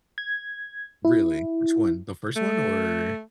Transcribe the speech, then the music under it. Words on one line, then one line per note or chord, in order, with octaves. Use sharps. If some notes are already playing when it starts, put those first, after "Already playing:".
Really? Which one? The first one? Or
G#6
E4
A3